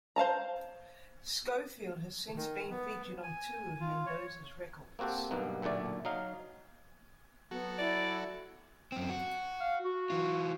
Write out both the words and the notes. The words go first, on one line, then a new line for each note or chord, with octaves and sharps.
Scofield has since been featured on two of Mendoza's records.
C5 F5 A5 A#5
D#3
B3
G#5
F4
C#5
A#3 C4 F#4 G4 A4
B1 G2 B2 A#3 B3
B1 A#2 D3 A3 D5
F#3 D#4 F5
F#3 B3 F#4 A4
E4 D5
F#2 C4
F#4
F5
F#4
E3 F4